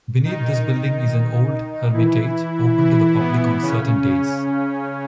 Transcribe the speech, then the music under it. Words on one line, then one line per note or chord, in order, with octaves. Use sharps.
Beneath this building is an old hermitage, open to the public on certain days.
D#3 D#4
E3 E4
E3 E4
B3
C#3 C#4
C#3 C#4
C#3 C#4